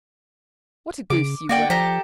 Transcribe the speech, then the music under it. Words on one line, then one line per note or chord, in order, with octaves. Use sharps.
"What a goose you were."
C#3 D6
A#3 F#4 D5 G5
F3 G4 A4 A#5